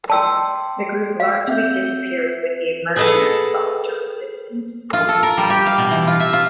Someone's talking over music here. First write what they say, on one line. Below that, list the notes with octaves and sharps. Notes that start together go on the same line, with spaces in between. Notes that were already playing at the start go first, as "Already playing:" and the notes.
The group largely disappeared with the emergence of Ulster Resistance.
D5 G5 A5 C6 E6
F5
C4 E5 G6
G#4 A4 B4 D#5 F#5 A5
F4
A4
A#4
G3
G4
F5
B2
E3
F4
E5
F4